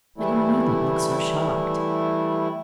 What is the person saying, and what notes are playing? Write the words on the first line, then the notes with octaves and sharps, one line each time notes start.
But you needn't look so shocked.
E3 G3 A3 E4